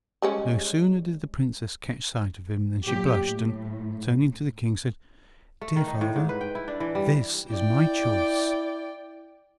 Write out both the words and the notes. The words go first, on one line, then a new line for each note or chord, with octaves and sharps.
No sooner did the Princess catch sight of him than she blushed, and, turning to the King, said, "Dear father, this is my choice!"
G3 G#3 C#4
A#2 F#3 G4
A2
A3
D#3
D#4
A2
G#2
B4
G5
E4
D4
E3
G3
E4 D5 G5